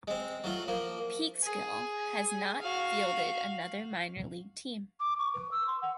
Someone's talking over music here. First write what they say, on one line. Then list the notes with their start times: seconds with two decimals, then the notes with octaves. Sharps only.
Peekskill has not fielded another minor league team.
0.07 G#3 C4
0.44 F#3 A3 F4
0.68 F3 A#3
1.43 G#4
2.61 F#4 F5
4.99 D6
5.18 C#6
5.33 B4
5.51 E6
5.67 C6
5.81 F#5